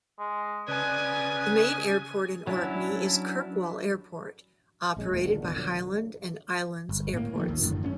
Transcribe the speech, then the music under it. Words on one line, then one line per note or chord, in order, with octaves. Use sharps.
The main airport in Orkney is Kirkwall Airport, operated by Highland and Islands Airports.
G#3
C#3 B4 D5 G#5 D#6
F#3 C#4 D4 E4
A#1 G#3 C#4
D#1 E2 F#3 A3
D#2 A#2 D3
G#1 B2 D3
D3 F3 F#3
G1
A2 A#3
D#3 F3 A3
A1 D#2
F#1 F#2 A2 D3
G#1 B2 C#4